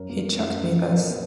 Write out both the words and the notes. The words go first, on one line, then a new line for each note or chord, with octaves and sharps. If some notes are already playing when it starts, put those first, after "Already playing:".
He chucked me this.
Already playing: F#2 A#4 C#5
A#3
F#2
F#3
A#2 A#4 C#5
B4 D#5
A#3